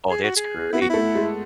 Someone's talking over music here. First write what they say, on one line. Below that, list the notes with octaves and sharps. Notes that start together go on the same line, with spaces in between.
Oh, that's great.
G#4
F#4
G#4
B3 E4
F#4
A3 E4
G#3